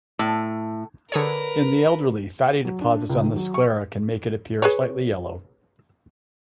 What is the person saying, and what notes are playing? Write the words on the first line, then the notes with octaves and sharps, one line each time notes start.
In the elderly, fatty deposits on the sclera can make it appear slightly yellow.
A2
D3 G#4 A#4 B4 C#5
F#3
D4
C#2
D#3
F#3
C#6
G#4 B4 C#5